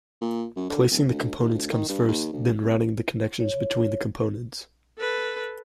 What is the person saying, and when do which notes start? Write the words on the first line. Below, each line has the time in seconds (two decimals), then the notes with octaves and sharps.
Placing the components comes first, then routing the connections between the components.
0.21 A#2
0.56 F#2
0.70 D3
0.91 D1
1.10 D2
1.39 D#2
1.54 D2
1.72 D#3
1.89 G2
2.09 D#2
2.32 D2
2.62 C2
3.40 C#5
4.98 A4 B4